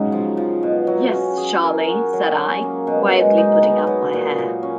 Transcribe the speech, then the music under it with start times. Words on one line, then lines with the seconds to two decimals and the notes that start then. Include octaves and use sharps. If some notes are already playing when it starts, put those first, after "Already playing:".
"Yes, Charley," said I, quietly putting up my hair.
Already playing: G#2 C#3 F#3
0.12 F3
0.37 F3
0.63 B2
0.87 F#3
1.13 C#4
1.37 G#4
1.63 A#4
1.88 F#4
2.13 F#3
2.38 C#4
2.63 A#3
2.87 B2
3.12 G#3
3.38 D#4
3.62 B3
3.87 F#3
4.13 A#2
4.38 A#2
4.63 C#4